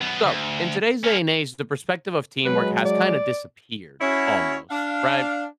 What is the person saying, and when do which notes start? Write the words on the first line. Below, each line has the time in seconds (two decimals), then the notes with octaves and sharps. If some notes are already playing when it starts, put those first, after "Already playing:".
So, in today's day and age, the perspective of teamwork has kinda disappeared, almost, right?
0.01 F#2 B3
0.26 D2
1.04 A#3 C#4
2.46 F#3 G#3 B4
2.85 D5
4.01 C#4 E4 F#4
4.71 D4 F5